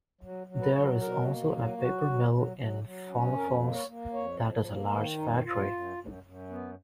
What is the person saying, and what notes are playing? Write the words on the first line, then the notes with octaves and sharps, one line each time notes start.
There is also a paper mill in Follafoss that is a large factory.
F#3
F#3
B4
F#3 C#5
B4
B2 A#4
A#3
F#3
F#3 F#4
F#3
F#3
F#3
F#3
C#4
F2 A#4
A#3
C#5
A#3
F2 C#5
F3
A#3
D#3 B4
F#2 D#4
F#2 F4
F#2
F#2
F#2
B3